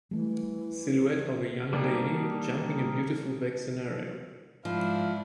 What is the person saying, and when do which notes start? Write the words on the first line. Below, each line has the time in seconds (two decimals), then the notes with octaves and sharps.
Silhouette of a young lady jumping a beautiful back scenario.
0.11 E3 G3 A3
1.73 G3 A#3 D4 D#4 G4
4.65 G#2 F3 D4 E4 F5